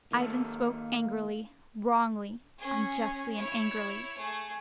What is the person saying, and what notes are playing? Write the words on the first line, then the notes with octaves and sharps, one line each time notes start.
Ivan spoke angrily, wrongly. Unjustly and angrily.
D#3 A#3 A4
C#4 G#4
E4 C#5
A3 G#4